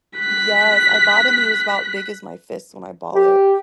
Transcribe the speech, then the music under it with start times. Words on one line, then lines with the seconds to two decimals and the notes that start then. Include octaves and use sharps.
Yes, I bought him he was about big as my fist when I ball it,
0.18 F#6 B6
3.14 G4